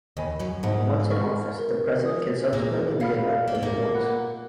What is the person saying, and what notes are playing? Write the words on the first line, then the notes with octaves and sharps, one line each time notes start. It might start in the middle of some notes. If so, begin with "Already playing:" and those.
Once in office, the President can be subsequently re-elected only once.
D#2 D#3 D#5 G#5 B5
F#2 F#3
G#2 G#3 F#5
C#6 F6
A#4
C#5 G#5 D#6
A#2 A#3 G#4
B2 B3 C#5 F5 B5 F6
A#3 B4
B3
A#2 A#3
F#5 B5 F#6